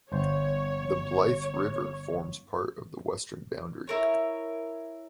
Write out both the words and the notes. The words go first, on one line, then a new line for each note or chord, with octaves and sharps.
The Blythe River forms part of the western boundary.
G1 C5 C#5
E4 A#4 C#5